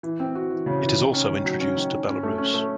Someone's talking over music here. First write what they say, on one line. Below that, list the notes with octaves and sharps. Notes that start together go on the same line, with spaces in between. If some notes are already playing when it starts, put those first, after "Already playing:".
It is also introduced to Belarus.
E3
C4
F#4
E3
C#3
E3
D#3
C#4
D#3
F#3
C#4
D#3
C#4
C#4
A3
C#4
A3